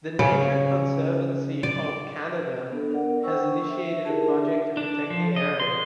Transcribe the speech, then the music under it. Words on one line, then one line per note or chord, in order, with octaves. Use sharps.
The Nature Conservancy of Canada has initiated a project to protect the area.
C#3
D5
B3 D4 A4
D4 A#4 D5 F#5
D4 C5 G5 C#6 E6
E5
D#4 E4 G4 G#4 A#4 A5
D4 E5
D4
F3
D#5
C6